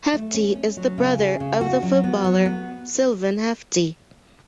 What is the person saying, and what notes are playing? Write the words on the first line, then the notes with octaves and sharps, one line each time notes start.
Hefti is the brother of the footballer Silvan Hefti.
A3
C#4
C#4
F#3
C#3
G#4
C#3
F#4
F#3
B3
F#3
B3